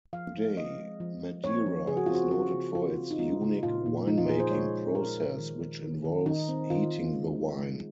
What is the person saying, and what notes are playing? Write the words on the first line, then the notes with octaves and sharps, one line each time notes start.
Today, Madeira is noted for its unique winemaking process which involves heating the wine.
F3 F5
F3
C4 D#5
G#3
F3
F3
C4 C#5
F3
C#3 G#4
F#4
C4 F4
F#4
C4 F#4
C#3
C#3 F4
C4
D#4
G#3 F4
C#3
A#2 F4
A#2
F3 D#4
F4
A#2 G#4
C5
G#3 C#5
G#3
A#2 A#4
A#2
D#3
D#3
D#3
D#3
D#3 D#4
C4
D#3 F4
D#3
G#3
F3
G#3